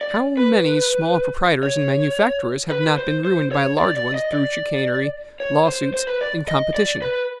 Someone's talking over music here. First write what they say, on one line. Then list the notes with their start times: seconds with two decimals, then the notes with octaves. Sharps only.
How many small proprietors and manufacturers have not been ruined by large ones through chicanery, law-suits, and competition?
0.01 D5
0.37 B4
1.63 C#5
2.70 B4
2.98 C5
3.25 C5
3.52 C#5
3.78 D5
3.97 D5
4.14 D#5
4.32 D5
5.40 C#5
5.67 C5
5.94 C5
6.07 B4
6.21 D5
6.48 D#5
6.74 D5
7.02 B4